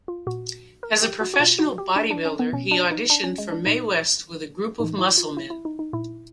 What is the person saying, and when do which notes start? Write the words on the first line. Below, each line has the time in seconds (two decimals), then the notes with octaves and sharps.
As a professional bodybuilder, he auditioned for Mae West with a group of musclemen.
0.08 F4
0.27 A#2 F#4
0.83 A#4
1.02 G4
1.21 F#4
1.34 F#4
1.39 B2 F4
1.59 F#4
1.78 G4
1.96 D4
2.11 D4
2.25 C#4
2.39 B3
2.53 B2 C#4
2.71 D4
2.91 D#4
3.10 D4
3.24 C#4
3.38 G#3
3.52 D4
3.66 A#2 D#4
4.80 A2 E3 D#4
4.98 E4
5.18 F4
5.37 E4
5.50 E4
5.65 D#4
5.79 D#4
5.93 A#2 E4